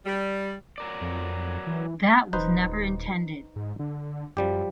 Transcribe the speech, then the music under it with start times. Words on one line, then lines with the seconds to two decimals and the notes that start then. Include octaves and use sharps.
That was never intended.
0.05 G3
0.78 F#3 A#4 D5
1.01 F2
1.67 E3
2.33 D#1 D#4 B4 C5
3.56 G#2
3.79 D3
4.37 F#2 F3 G3 G4